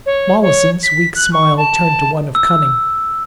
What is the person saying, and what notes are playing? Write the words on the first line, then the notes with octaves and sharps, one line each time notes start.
Mollison's weak smile turned to one of cunning.
C#5
C#5
B6
F#6
C#6
A5
E6